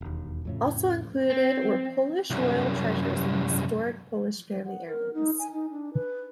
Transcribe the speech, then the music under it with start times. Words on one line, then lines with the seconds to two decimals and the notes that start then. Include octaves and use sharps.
Also included were Polish royal treasures and historic Polish family heirlooms.
0.01 E1 D#2
0.45 F2 A2 C#3
1.30 C4
2.30 C2 F#2
4.65 F#5
4.87 A#4
5.14 D#4
5.39 G#5
5.53 D#4
5.70 D4
5.94 B4